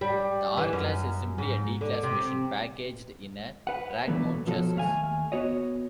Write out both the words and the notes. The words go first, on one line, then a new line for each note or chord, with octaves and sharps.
The R-class is simply a D-class machine packaged in a rack-mount chassis.
G3
E3
F#2
G#2
D3
C3
B4 F#5
A#2 D3 E3 F#3 A3 B3
B2 F3 F#3 A4
D#2 A3 F5 G#5
B3 F#4 C#5 D#5